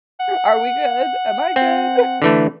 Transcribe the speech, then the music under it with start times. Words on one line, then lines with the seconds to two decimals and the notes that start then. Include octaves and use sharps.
Are we good? Am I good?"
0.20 F#5
1.56 C4 F#5
2.22 D3 E3 A3